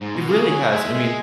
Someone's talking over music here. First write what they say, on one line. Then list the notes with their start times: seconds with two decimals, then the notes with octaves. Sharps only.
it really has. I mean,
0.02 G#2
0.15 B2
0.29 C#3 G#4
0.51 F#3 G#5
0.72 G#3 E5
0.94 G#3 G#5